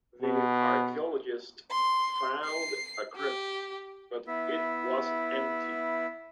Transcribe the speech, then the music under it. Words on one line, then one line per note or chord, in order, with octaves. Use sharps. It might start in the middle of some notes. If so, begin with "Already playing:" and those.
The archaeologists found a crypt, but it was empty.
B2
C6
C7
G4
B3 E4 E5